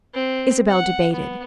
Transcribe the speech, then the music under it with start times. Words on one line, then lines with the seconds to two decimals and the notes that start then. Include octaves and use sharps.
Isabel debated.
0.14 C4
0.68 F#5
1.13 B3